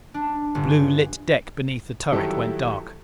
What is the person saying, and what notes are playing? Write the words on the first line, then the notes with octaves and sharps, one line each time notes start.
The blue lit deck beneath the turret went dark.
D4
G1
D#3 F#3 G3 E4 G4 A4